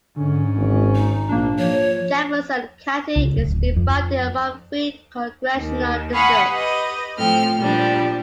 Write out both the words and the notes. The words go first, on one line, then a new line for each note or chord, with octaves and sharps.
Jefferson County is divided among three congressional districts.
G#2 D3 C#4
G#1
D#4
A#1 A#3 D4
F3 C#5
C#2
D1
F2
D#2 D#3
F5 F#5 G#5 B5 C#6 D#6
G4 B4 D#5
A2 F3 C4 A4 G5 F6
A#2 F3 G3 D4 G4